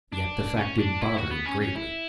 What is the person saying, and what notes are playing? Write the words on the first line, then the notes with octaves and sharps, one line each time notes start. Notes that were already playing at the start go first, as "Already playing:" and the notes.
Yet the fact didn't bother him greatly.
D4
C#4
D4
E4
F#4
B3
C#4
C#4
E4